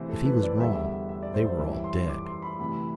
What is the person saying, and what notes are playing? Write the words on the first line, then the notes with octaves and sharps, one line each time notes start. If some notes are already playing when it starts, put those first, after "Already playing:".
If he was wrong, they were all dead.
Already playing: D2 C3 E3 E4 C5
A4
B4
D5
E2 D3 G3 E5
E5
E5
D5
C5
C5
F#2 E3 G3 E5
C6
D6
C6
B5
D2 C3 E3 B5